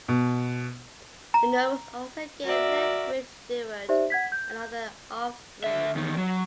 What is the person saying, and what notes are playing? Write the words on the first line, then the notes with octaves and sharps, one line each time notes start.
The novels also gave Lethbridge-Stewart another offspring.
B2
A#5
F#4 A#4 D5 E5
D#4 G4 C5 D5 E5
F#5 G#6 B6
G6
D3 E5
E2 D#3
F#3